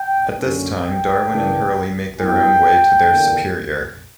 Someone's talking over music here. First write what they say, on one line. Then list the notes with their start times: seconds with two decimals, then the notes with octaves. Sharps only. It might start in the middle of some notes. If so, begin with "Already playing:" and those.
At this time, Darwin and Hurley make their own way to their superior.
Already playing: G5
0.39 F#2 D3 A#3 C#4
0.84 G5
1.29 C#3 E3 A#3 D4
2.19 G2 F#3 B3 E4 G5
3.09 E2 D3 A#3 D4